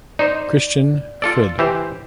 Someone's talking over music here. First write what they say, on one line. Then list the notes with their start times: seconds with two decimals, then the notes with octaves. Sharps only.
Christian Frid.
0.19 D#4 C5 D5
1.22 F4 A4 D5 E6
1.59 E3 G4 C5